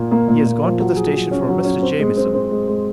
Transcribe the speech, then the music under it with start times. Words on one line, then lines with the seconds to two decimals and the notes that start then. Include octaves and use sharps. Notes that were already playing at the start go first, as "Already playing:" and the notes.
He has gone to the station for Mr. Jamieson.
Already playing: A#2 A#3
0.11 A#3
0.28 A#2
0.46 A#2
0.63 F3
0.80 F#3
0.96 G#4
1.14 F#3
1.31 C#4
1.49 F#3
1.65 C#4
1.82 C4
1.99 G#3
2.17 C4
2.34 C4
2.51 G#3
2.68 G#3